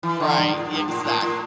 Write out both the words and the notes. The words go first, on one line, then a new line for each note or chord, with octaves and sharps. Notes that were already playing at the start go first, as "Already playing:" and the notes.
Right, exact
E3
D3
G2
G2
A2
G2
A2
A2
A2